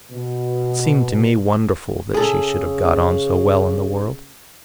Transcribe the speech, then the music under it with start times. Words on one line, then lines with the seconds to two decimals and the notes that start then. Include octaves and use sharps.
It seemed to me wonderful that she should have got on so well in the world.
0.11 B2
2.14 C#3 G#4 A4